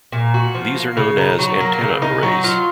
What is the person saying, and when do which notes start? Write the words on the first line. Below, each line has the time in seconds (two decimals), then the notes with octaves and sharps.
These are known as "antenna arrays".
0.12 A#2
0.34 F#4
0.55 F3
0.76 A#3
0.97 C#3
1.18 D#4
1.39 F#3
1.60 A#3
1.81 C#3
2.02 D#4
2.23 F#3
2.44 F4